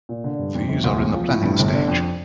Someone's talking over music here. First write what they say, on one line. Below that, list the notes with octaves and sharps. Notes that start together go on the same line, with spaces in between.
These are in the planning stage.
A#2
D3
G2
F2
G1
D2
E1
F3
A2
G2
G1
D3
F2